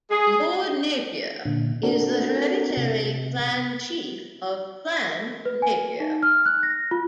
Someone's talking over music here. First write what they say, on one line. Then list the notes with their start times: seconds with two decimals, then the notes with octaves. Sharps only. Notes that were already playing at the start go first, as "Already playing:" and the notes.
Lord Napier is the hereditary Clan Chief of Clan Napier.
0.11 G#4
1.45 A#2 D3
1.83 C4 D4 F#4 A4 A#4
2.77 C3
5.45 B4
5.62 G#5
6.00 D#4
6.23 F6
6.46 F#6
6.63 A#6
6.91 F4